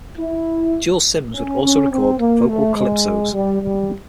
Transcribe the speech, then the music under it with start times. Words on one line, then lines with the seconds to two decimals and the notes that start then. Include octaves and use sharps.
Jules Sims would also record vocal calypsos.
0.18 E4
1.33 C#4
1.62 C#4
1.90 C4
2.18 A#3
2.47 A3
2.75 G#3
3.33 G3
3.62 G3